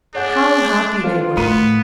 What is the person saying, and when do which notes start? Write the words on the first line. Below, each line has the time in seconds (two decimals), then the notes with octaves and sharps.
How happy they were!
0.15 D4 G#4 C#5 F#5 G6
1.04 C4 F4 A4 C5
1.37 A2 B3 A#4 C6 D#7